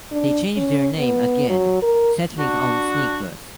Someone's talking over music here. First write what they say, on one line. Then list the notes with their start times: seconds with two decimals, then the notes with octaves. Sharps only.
They changed their name again, settling on Sneakers.
0.11 D4
0.57 C#4
0.98 B3
1.50 F#3
1.82 A#4
2.39 D4 F#4